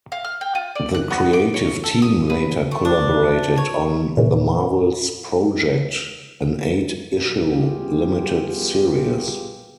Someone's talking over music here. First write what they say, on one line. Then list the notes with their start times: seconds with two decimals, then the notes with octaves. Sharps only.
The creative team later collaborated on "The Marvels Project" an eight issue limited series.
0.12 F5
0.25 F6
0.41 G5
0.55 F4
0.76 D5
0.94 F#6
1.11 B3
1.33 D6
1.54 C#5
1.84 A4
2.02 D#6
2.30 B4
2.71 A3
2.85 D4
3.57 C#5
4.17 A#2 C#3 E3
7.10 B2
7.52 G3 B3 F4 G4 G#4